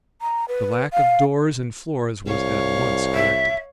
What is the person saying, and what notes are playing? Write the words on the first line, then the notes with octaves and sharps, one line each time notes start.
The lack of doors and floors was at once corrected.
A#5
B4
F5
C2 C#5 F5
E5